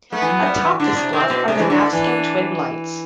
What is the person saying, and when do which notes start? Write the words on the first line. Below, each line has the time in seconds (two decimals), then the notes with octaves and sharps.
Atop this bluff are the Navesink Twin Lights.
0.12 A3 B3
0.22 E3
0.29 F#3
0.46 G3
0.63 E3
0.79 D3 D4
0.97 C3
1.13 C3 C4
1.30 B2
1.47 C3 D4
1.59 E3
1.70 D3
1.93 E3